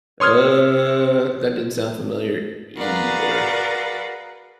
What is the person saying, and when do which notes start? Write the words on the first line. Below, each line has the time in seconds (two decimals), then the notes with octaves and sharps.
Uh, that doesn't sound familiar, either.
0.20 C#5 C6 D#6 F6 G#6
2.76 F#4 G#4 A#4 B4 D5 F5